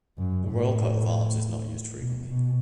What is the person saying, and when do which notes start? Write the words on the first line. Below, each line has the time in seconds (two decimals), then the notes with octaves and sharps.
The royal coat of arms is not used frequently.
0.18 F#2
0.48 A2
1.98 B2
2.28 B2